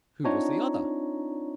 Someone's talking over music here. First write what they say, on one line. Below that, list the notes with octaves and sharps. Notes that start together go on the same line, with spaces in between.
Who was the other?
C4 D4 D#4 F4 C#5 A#5